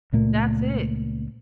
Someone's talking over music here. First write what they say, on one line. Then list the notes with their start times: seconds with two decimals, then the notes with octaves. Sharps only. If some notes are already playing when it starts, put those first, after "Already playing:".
That's it.
0.13 C#2 A#2 A3 A#3